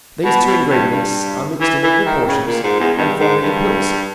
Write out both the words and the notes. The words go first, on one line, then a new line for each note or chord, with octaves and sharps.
These two ingredients are mixed in equal proportions, and formed into pills.
B2
B2
G2
G2
E3
E3
D#3
C#3
A#2
G#2
E2
G2
G#2
G2